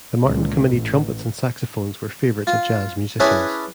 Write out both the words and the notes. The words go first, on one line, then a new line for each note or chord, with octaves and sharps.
The Martin Committee trumpets and saxophones were favorites of jazz musicians.
C#2 A#2
A1
F4
C#4 D4 E4 G#4 B4 C#5